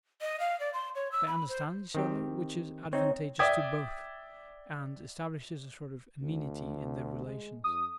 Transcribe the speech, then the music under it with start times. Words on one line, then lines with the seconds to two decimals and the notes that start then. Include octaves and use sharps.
They understand each other, which is advantageous to both, and establishes a sort of amenity in their relations.
0.21 D#5
0.40 F5
0.60 D5
0.74 C6
0.95 C#5
1.12 E6
1.27 B5
1.49 C5
1.95 D#3 C4 G4
2.93 C4 D#4 C#5
3.39 D5 E5 G5 D#6 G#6
6.21 D2
7.25 G#3
7.64 F2 D#6